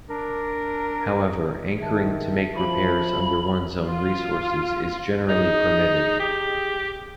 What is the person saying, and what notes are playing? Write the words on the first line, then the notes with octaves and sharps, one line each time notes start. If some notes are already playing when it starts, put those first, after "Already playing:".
However, anchoring to make repairs under one's own resources is generally permitted.
D4 A#4
D#3 G#4 E5 A5
F3 B5
F4
D#4 G#4
G4